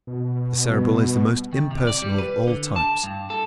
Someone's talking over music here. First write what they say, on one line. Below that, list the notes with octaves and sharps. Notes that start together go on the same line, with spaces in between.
The Cerebral is the most impersonal of all types.
B2
G3 B3
D#3
C3
D5
G3
B4
D3
A5
G2
A4